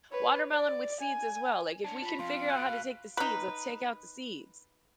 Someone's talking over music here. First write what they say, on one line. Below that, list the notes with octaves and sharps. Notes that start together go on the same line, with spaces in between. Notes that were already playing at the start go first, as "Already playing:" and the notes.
watermelon with seeds as well, like, if we can figure out how to take the seeds, let's take out the seeds.
B4 C#5
D5
G#5
D4 C#5 A5
F4 A5 B5
F2 F5 C6
B2 F#6
D#4 B4